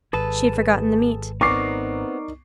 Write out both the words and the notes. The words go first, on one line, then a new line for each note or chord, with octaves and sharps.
She had forgotten the meat.
G#1 G#4 A4 B4 A5
B3 C4 D#4 A#4 D5 C#6 D6 C7